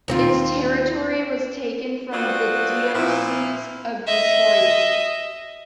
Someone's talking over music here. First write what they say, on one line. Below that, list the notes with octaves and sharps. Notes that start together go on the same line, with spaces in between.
Its territory was taken from the Diocese of Detroit.
D#2 C4 F4
B3 C4 D4 F4 F#4
A#2 F3 E4
D#5 E5